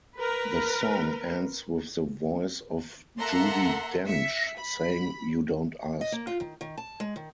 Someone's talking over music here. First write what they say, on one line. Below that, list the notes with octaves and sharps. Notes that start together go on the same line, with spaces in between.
The song ends with the voice of Judi Dench saying You don't ask.
A#4 B4
A#3 A4 E5 F#5 A#5 C6
E5 B6 C#7
B5
D#5
A#3
F4
D#3
D#3
A5
G#3
D#3